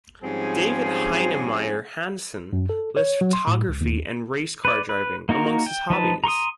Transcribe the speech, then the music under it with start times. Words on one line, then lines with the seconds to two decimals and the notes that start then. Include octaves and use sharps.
David Heinemeier Hansson lists photography and race car driving amongst his hobbies.
0.22 G#2 F3 G3 C4 C#4 G#4
2.53 F#2
2.69 A4
2.97 C#5
3.21 F#3
3.33 C6
3.47 A2
3.68 C#2
3.81 D#2
4.65 B4 D5
4.89 B4
5.29 A#3 D#4 F#4 A#4
5.66 G5
5.90 F3 D#4 B4 A5
6.24 A#5 C6 C#6 D#6